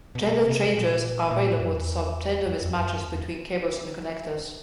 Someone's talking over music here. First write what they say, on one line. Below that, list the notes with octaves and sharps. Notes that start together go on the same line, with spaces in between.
"Gender changers" are available to solve gender mismatches between cables and connectors.
B2
C3
A#2
A#2
A2
F#2
E2
F2
F2
F#2
E2